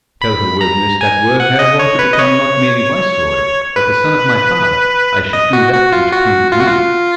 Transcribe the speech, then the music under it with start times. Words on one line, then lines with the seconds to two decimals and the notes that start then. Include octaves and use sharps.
Tell her worthiness that were Herhor to become not merely viceroy, but the son of my father, I should do that which pleases me.
0.21 B5
0.61 A#5
1.01 G#5
1.40 F#5
1.59 D#5
1.79 C#5
1.99 B4
2.13 D#5
2.19 C#5
3.76 B4
5.33 D#5
5.53 F#4
5.73 F#4
5.92 F4
6.12 F#4
6.52 F4
6.59 F#4
6.67 F4